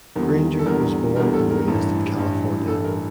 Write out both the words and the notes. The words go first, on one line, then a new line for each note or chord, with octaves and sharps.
Grainger was born and raised in California.
E2 D3 G3 A#3
A4
E2 D3 G3 A#3 A#4
E2 D3 G3 A#3 A#4
A4
A#4
A1 G2 E3
A1 G2 E3
A1 G2 E3 A4
A#4